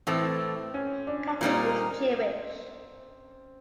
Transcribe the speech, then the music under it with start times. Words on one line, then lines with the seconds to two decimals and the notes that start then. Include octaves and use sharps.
Katan is Jewish.
0.07 A2 E3 A3 C4
0.74 C#4
1.07 D4
1.41 A#2 G3 A#3 C4 D#4